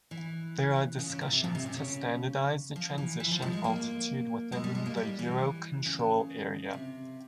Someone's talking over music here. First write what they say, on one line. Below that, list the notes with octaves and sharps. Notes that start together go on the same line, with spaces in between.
There are discussions to standardize the transition altitude within the Eurocontrol area.
E3
C#3
C#3
A#2
C3
A#2
C3
C#3
C#3
F3
E3
E3
F3
G#3
G#3
A#3
G#3
G3
G#3
A#3
G3
E3
C#3
C3